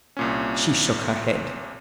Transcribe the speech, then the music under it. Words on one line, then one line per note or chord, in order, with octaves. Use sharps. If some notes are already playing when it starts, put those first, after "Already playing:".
She shook her head.
C2 A#2 C#4